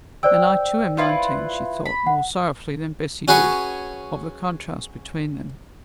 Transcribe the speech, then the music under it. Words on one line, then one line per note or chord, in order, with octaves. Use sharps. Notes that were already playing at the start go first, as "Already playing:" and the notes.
'And I too am nineteen.' She thought, more sorrowfully than Bessy did, of the contrast between them.
C5 D5 G5 E6
E4 F4 B4
B5
F#5
C#4 F#4 G#4 B4 C#5